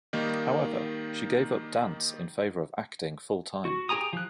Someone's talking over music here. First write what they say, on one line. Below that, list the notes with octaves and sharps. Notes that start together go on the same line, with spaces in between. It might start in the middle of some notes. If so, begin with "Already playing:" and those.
However, she gave up dance in favor of acting full-time.
D#3 G3 A#3 D#4
F#4
G4 G#4 G#5 A#5 D#6
F3 F#6